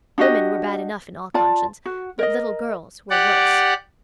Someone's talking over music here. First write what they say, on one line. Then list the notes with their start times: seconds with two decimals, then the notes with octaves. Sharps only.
Women were bad enough in all conscience, but little girls were worse.
0.18 D4 F#4 G4 D#5
1.34 F4 D5 A5
1.86 F#4
2.19 A#4 D#5
3.10 G4 D5 F#5